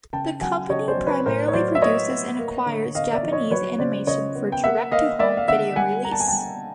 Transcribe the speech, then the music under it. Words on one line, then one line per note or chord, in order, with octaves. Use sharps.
The company primarily produces and acquires Japanese animation for direct-to-home video release.
C#3 G5 A5
F#3 F#5 G#5
C#3 C#5 D#5
C5 D5
F#3
B4 C#5
A2 A#4 C5
C#5
F#3 C5 D5
E5
B3 C#5 D#5
B3
A#3
D3
D3 D#5 F5
D5 E5
F3
C#5 D#5
F#3 B4 C#5
C#3 C5 D5
C#3 C#5 D#5
B3
G5
A#3 E5 F#5
A#3 D#5 F5
A#3 D5 E5
F5
D3 E5 F#5
G3 F#5 G#5
A#3 A#5
A5
G#5
G3 G5 A5